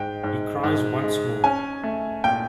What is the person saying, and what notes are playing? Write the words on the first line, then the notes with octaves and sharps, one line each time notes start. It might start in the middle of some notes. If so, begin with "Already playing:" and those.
He cries once more.
Already playing: G#2 G5
G#2
G#2
G#3
C#4 G#5
A3
A#2 G5